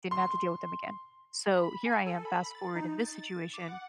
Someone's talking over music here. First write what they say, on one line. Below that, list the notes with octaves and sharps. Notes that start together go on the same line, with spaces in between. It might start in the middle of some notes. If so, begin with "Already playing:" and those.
didn't have to deal with him again. So here I am fast forward in this situation.
C6
B5
G#5
A4
B5
A6
D#4
A6
D6
F#5